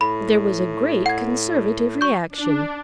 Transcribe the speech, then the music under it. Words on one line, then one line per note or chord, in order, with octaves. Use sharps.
There was a great Conservative reaction.
A2 B5
F#5 G#6
F#3 C#6 G6
D4